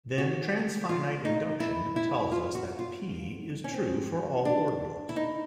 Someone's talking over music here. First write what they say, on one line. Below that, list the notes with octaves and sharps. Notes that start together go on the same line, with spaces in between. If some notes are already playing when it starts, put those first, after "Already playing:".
Then transfinite induction tells us that P is true for all ordinals.
F#4
F4
D#4
E4
E4
F4
F#4
F4
C#4
C4
D4
E4
D#4